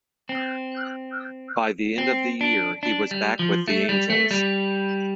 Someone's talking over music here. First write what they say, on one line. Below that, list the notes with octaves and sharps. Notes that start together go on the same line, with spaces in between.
By the end of the year, he was back with the Angels.
C4
C4
D4
D4
G3
F3
A3
G3
A3
G3